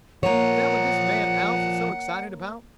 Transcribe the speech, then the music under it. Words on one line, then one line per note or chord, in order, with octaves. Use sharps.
"Is that what this man Alf was so excited about!"
F3 A#3 A#4 C#5 F#5